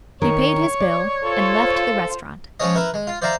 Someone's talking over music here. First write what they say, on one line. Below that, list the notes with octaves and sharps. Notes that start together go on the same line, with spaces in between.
He paid his bill and left the restaurant.
D#3 A#4 C#5
D5
F4 A4 C5
F3 G#3 C#4 C#5 D#5
E4 A#4 B4 E5
G#3
F4
C5 D5 E5 F5 A#5